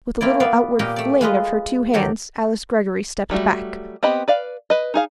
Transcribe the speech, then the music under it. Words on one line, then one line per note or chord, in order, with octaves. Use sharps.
With a little outward fling of her two hands Alice Greggory stepped back.
A#3 C4 E4 D5
B3 D5 E5 F5
A#2 G4 A#4 D#5
A3 D5
G#3 F4 B4 D#5
D#3 F#3 G4 A4
F#3 G3 A3 F#4
B3 C4 G4 D#5 B5
B4 D5 F5
B4 D#5
D#4 G#4 F5